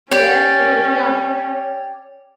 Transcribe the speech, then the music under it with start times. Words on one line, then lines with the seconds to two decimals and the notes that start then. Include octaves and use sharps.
There - it is done.
0.11 C#4 G4 C#5 D5